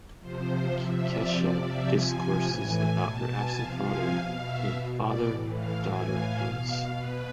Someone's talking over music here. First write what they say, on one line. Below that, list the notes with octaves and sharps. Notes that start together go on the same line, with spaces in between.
Kesha discourses about her absent father in "Father Daughter Dance".
C3 F3 C5
C5
C3 F3 E5
D5
C3 F3 D5
E5
C3 F3 G#5
G#5
A2 E3
B2 A5
G#5
C3 F3 F5
G#5
B2 F5
E5
B2
D5
A2 E3
F5
A2 E3 G#5
F5
B2 F5
B2 B4